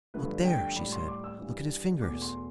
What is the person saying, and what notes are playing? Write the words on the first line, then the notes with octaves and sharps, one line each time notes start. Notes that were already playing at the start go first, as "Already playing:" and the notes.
"Look there!" she said; "look at his fingers!"
G2 D3 F3 A3 B4
G5
A2 G3 B5
C6
D6
E6
G2 E3 G3
E2 B2 A3 D6
C6